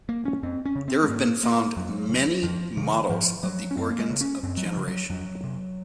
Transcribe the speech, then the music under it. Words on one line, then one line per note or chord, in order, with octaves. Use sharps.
There have been found many models of the organs of generation.
A#3
C#4
F2 C4
C#4
C#3
C4
G#3
G#2 A#3
A#3
F2 F#3
C#3
F2 F3
C3 D#3
G#2 F3
F#3
C#4
F#2 C4
A#3
G#3
C#3
C#4
F#2 C4
F#3
F3
C#3
F#3
F2 F#3
C3